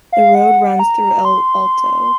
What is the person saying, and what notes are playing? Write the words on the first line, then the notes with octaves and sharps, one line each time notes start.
The road runs through El Alto.
F5
F#5
A#5
C6